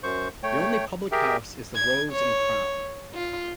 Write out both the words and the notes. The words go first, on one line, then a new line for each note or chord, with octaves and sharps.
The only public house is the Rose and Crown.
F#2 C5 C#6
A3 C#5 G5
G4 G#4 A#4 E5 G5
G#6
C#5
F4